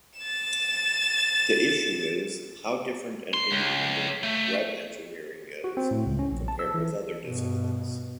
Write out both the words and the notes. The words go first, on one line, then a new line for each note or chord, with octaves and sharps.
The issue is how different and independent Web engineering is, compared with other disciplines.
A6 E7
C6
C#2
A3
F#4
C4
A2
C#2
C#4
A#1
A5
E6
E3
G2 B2